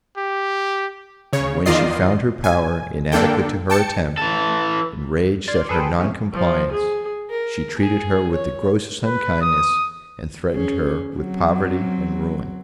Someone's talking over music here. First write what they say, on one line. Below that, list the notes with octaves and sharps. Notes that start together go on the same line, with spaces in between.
And, when she found her power inadequate to her attempt, enraged at her non-compliance, she treated her with the grossest unkindness, and threatened her with poverty and ruin.
G4
C#3 C#5
E2 D#3 F4 D5 D#5 C7
G#5
D3 A#3 D4 A4 G5
G5 A5 C#7
E3 A4
D5 C6 F6 G#6
G#4 A4 B4 C5 G5
E2 C3 C#4
F3
G#4
A#4
G#4
C#5
B4
D#6
C#4 G#4
F#3 C4